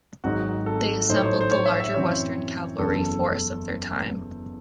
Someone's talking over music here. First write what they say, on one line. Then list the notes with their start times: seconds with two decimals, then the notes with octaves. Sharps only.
They assembled the larger western cavalry force of their time.
0.24 G#1 G#2 F#3 C4 D#4 F#4
0.66 A4
1.09 A2 F#3 A3 D#4 C5
1.16 C#5
1.23 C5
1.41 C5
1.51 C#5
1.66 E5
1.80 E5
1.94 F#2 E3 C4 C#5
2.79 F#1 E2 C#3 F#3 A4
2.93 A4